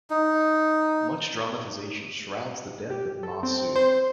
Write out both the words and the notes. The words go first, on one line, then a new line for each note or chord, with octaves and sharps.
Much dramatization shrouds the death of Ma Su.
D#4
G4
A4
C4
C5